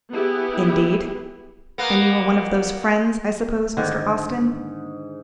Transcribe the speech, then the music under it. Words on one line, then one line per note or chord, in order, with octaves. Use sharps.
"Indeed; and you are one of those friends, I suppose, Mr. Austin?"
B3 E4 G4 G#4
A#3 B3
G#2 D3 D#3